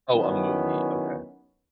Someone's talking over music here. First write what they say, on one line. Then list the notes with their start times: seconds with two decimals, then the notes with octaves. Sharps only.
Oh, a movie, okay.
0.11 D#3 F#3 B3 C#4 E4